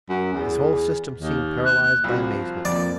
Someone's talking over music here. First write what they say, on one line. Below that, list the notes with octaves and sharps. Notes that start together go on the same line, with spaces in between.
His whole system seemed paralyzed by amazement.
F#2
E2
D#2
F#6
C2 F3 F#4
F2 A#3 D5